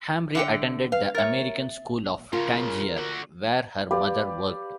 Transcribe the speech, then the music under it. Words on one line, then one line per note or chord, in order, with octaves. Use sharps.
Hamri attended the American School of Tangier, where her mother worked.
D3 E5 F#5 G5
B4 F5
A#4 C#5 E5 A6
F#2 C#3 F4 A#4
D3 F#4
G4 B4 D5 F5